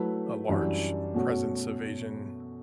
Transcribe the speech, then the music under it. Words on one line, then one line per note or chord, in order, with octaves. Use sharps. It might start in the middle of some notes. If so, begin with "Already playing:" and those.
a large presence of Asian,
Already playing: F#3 A3 E4 B4
F#2 E3 G3 D4 F#4
B2 A3 C#4 F#4